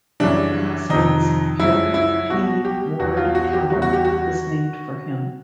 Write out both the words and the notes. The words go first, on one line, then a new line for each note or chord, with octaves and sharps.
The hospital's Harry P. Ward Tower is named for him.
F#2 C#3 E3 G3 D4
F2 C3 D#3 D#4
F#2 C#3 F3 E4
E4
B2 G3 F#4
G4
E2 B2 F#3 F#4
F4
F#4
G4
E2 C#3 E3 G3 F#4
F#4
G4
F#4